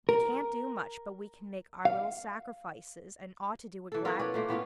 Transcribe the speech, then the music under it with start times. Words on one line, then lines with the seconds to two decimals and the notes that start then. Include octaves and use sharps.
We can't do much, but we can make our little sacrifices, and ought to do it gladly.
0.09 A#4
1.85 F5
3.92 E3 A4
4.05 B3 F4 A4 A#4
4.19 C#4 B4 C#5 D5
4.34 A#2 A3 A#3
4.49 A2 B3 C#4 F4